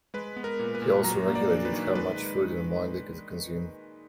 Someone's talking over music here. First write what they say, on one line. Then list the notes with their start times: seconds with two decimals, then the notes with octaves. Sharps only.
He also regulated how much food and wine they could consume.
0.14 G#3 B4
0.36 B3
0.44 A#4
0.59 A#2
0.75 B4
0.82 A#2
1.04 F#3 A#5
1.27 A#3
1.35 D5
1.50 D4
1.65 B4
1.73 D#3
1.95 G#3 B4